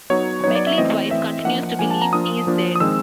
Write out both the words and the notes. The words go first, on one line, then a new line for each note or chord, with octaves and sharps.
Beckley's wife continues to believe he is dead.
F#3 B3 D#4 C#5
F#3 B3 D#4 C#5
D5
E5
E3 A3 C4 D#5
E3 A3 C4 E5
F3 A#3 D4 F#5
F3 A#3 D4 G#5
A5
A#5
F3 A#3 D4 F4 D#6
F3 A#3 D4 F4
D#6
D#3 G#3 C4 E6